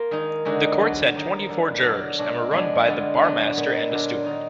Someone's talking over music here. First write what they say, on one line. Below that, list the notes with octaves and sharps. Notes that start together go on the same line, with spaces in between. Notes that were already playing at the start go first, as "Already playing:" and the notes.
The courts had twenty-four jurors, and were run by the Barmaster and a steward.
Already playing: A#3 F4
D#3 G#3 D#4
D3 G#3 D#4 F#4
F#3 B3 D4 F#4
D#3 A#3 D#4
D3 F3 G#3
B2 F#3 D4
B2 G#3 D4 F#4
F3 G#3 B3 D4
D3 G#3 B3 F4
F#3 B3 D4 F#4
A#2 G#3 B3
D3 F#3 D4 F4
D#3 A#3 D#4 F#4